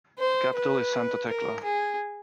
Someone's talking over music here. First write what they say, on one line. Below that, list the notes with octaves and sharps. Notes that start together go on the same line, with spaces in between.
The capital is Santa Tecla.
C5
B4
A#4
G#4